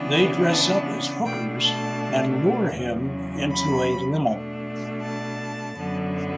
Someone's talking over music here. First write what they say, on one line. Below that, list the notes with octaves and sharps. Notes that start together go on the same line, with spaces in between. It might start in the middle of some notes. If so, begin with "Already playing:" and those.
They dress up as hookers and lure him into a limo.
Already playing: C#3 E3 B3 D4
A5
B2 A3 D4 G5
A5
E2 C#3 F#3 C#4
B5
B2 A3 D4
A5
F#2 D3 F#3 B3